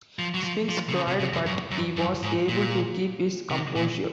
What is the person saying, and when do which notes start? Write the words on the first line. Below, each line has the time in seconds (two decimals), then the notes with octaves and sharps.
Spinks cried, but he was able to keep his composure.
0.19 F3
0.34 F#3
0.44 F3
0.69 F3
0.89 C3
0.95 C#3
1.07 C3
1.20 C3
1.33 F2
1.46 F#2
1.71 F#2
1.97 F#2
2.23 G#2
2.49 A#2
3.50 C3
3.76 A#2